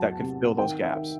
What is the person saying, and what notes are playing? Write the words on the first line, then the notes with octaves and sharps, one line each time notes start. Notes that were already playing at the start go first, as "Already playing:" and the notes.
that could fill those gaps.
Already playing: E2 F#3 A5
C3
D#3 G5
E5
D#3